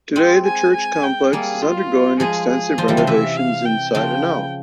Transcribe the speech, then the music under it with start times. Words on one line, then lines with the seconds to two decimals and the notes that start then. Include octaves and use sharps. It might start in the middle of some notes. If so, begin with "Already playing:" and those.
Today the church complex is undergoing extensive renovations inside and out.
0.16 G#3 C4
0.45 G#5
0.74 G#5
1.03 G5
1.33 G3 A#3 G#4
1.62 F4
2.20 F3 G#3 G#4
2.49 G#4
2.78 F3 G#3 C5
2.88 E3 G3
2.97 C#3 F3
3.07 C3 E3 E5
3.37 F5
3.66 G5
3.95 C#3 F3 G5